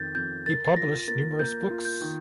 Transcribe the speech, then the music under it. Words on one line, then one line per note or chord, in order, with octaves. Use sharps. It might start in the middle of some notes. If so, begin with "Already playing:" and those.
He published numerous books.
Already playing: F2 D#3 C4 G6 A6
F2 G6
A#4 A6
A6
F4 A#6
A#3 A6
A#3 G6
F4
G6
D#3